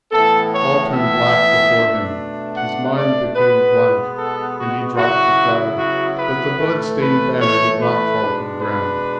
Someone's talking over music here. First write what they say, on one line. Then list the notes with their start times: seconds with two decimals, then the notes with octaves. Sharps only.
All turned black before him, his mind became a blank, and he dropped the flag; but the blood-stained banner did not fall to the ground.
0.11 A2 E3 B3 E4 A4
0.53 C#5
0.93 E5
1.74 B2 A3 D4
2.54 F#5
2.94 D5
3.35 B2 G#3 B3 B4
4.16 A4
4.56 F#4
4.96 C#3 F#3 B3 E4 F#4
5.77 F#4
6.17 B4
6.58 A2 E3 A3
6.99 B4
7.39 C#5
7.79 B4
8.19 B2 G#3 D4
8.60 B4